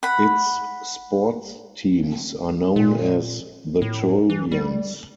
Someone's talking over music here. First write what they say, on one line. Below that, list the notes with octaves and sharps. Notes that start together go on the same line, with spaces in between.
Its sports teams are known as the Trojans.
F#5 B5
A#2
A2
E3
G3